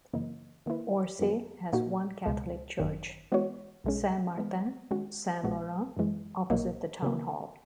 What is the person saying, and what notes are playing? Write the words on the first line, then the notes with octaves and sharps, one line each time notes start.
Orsay has one Catholic church: Saint-Martin - Saint-Laurent, opposite the town hall.
F#2 C#3 E3 A#3 D#4
D#3 A#3 E4 B4
F#2 D#3 F#3 B3 F#4
A#2 A#3 D#4 F#4
C#2 B2 G#3
G#1 F#2 D#3
E3 G#3 B3 F#4 C#5
B1 B2 G#3 C#4 G#4
E3 G#3 B3
D#3 G#3 C#4 F#4
A#1 A#2 G#3 B3 F#4
F#2 E3 G#3
B1 A#2 A#3 D#4
C#3 F#3 A#3